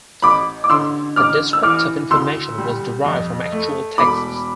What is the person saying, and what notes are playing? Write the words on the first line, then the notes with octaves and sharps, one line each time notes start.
The descriptive information was derived from actual texts.
A1 B5 D6
D6
D3 C6 E6
A1 D6 F6
E6
E3 D6 F6
D2 C6 E6
G3
F2
A3
E1 B5 D6